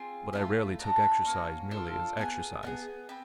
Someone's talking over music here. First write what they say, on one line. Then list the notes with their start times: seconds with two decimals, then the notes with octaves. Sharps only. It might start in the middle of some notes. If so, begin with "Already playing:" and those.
But I rarely took exercise merely as exercise.
Already playing: C4 F4 G#4 C6
0.33 A3 D4 F4 B5
0.79 D4 F#4 A4 A#5
1.02 B5
1.24 A#3 C#4 F#4 C#6
1.71 D4 F4 A4 C6
2.17 B3 D#4 G#4
2.63 B3 D#4 G#4
3.09 C4 B5